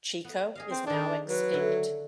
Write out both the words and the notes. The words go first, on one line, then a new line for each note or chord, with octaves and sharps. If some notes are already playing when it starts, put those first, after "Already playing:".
Chico is now extinct.
B3
G#4 D#5 F5
C4
D#3 D4 G#4 D5
F#3 B4
D3 E4